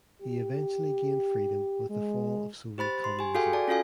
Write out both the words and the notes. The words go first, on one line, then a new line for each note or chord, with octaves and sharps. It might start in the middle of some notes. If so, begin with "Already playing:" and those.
He eventually gained freedom with the fall of Soviet Communism.
G4
G#3
G4 C5 B5 A6
C6
G4 G#5
F#4 G#4 A4 F5 G5 G#5
D5 A5
C#4 F4 F#4 A4 F5 G#5